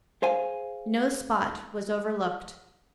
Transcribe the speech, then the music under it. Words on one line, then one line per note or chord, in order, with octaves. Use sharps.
No spot was overlooked.
G#4 C5 F5 G#5